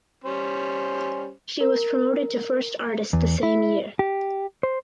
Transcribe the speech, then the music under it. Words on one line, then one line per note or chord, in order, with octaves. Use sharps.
She was promoted to First Artist the same year.
G3 C#4 C5
A#4
E2
E4
G4
C5